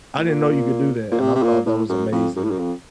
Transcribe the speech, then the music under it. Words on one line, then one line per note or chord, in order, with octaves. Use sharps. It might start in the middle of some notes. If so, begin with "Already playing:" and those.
I didn't know you could do that, and I thought that was amazing, and
A2
A#2
A#2
C3
C3
A#2
A2
F#2
F2
F#2
A2
F#2
F2